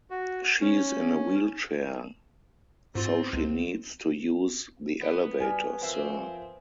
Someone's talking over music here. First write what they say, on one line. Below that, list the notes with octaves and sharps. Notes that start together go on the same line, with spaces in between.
She's in a wheelchair, so she needs to use the elevator, sir.
F#4
C#4
G#2 C4 F4 A6
C#2
B3
G3 G4 D5 G#5 F6
F3 C4 A#4 E5